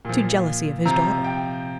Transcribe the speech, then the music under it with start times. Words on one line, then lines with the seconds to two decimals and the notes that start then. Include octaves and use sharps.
"To jealousy of his daughter."
0.05 A#2 F3
0.86 C3 F3 A#5
1.24 G5